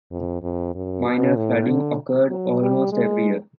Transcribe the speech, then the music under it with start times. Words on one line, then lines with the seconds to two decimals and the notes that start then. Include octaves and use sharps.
Minor flooding occurred almost every year.
0.11 F2
0.42 F2
0.74 F#2
1.05 B2
1.36 A2
1.67 D3
2.30 F#3
2.61 G3
2.92 G#3